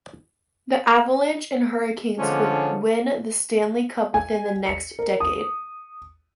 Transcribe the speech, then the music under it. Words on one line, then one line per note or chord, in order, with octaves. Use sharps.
The Avalanche and Hurricanes would win the Stanley Cup within the next decade.
D3 F3 G#3 C#4 D4
G#5
C#7
A#4
D#6